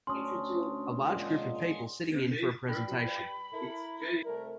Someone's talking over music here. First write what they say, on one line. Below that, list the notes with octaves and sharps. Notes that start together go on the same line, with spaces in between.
A large group of people sitting in for a presentation.
D2 C#4 D4 C6 D#6
A#2 G#3 F#5
G2 G3 G5 B5
E4 A4 A#4
C3 G3 A3 A#4